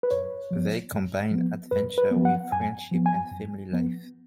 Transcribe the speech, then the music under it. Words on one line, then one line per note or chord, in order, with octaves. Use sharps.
They combine adventure with friendship and family life.
B4
F#2 C#5
F3 B3
F#2
F3 B3
F#2 B4
B4
F3 B3
F#5
F#2 G#5
F3 B3
G#5
F#2
F3 B3